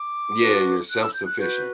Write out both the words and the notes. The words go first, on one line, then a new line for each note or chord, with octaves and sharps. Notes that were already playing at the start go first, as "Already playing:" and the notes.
Yeah. You're self-sufficient.
Already playing: D6
D4 F#4 B4
F#6
E6
G6
F#6
F#4 B4 G6